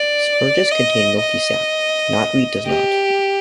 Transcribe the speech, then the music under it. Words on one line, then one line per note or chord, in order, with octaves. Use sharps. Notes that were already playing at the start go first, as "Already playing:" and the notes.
Spurges contain milky sap; knotweed does not.
Already playing: D5
D#5
D#5
G4